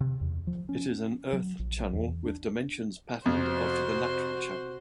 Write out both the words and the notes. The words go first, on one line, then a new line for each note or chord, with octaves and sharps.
It is an earth channel with dimensions patterned after the natural channel.
C3
E2
F3
C#4
F#3
A#1
E2
D4
F2 C3 F#4 C5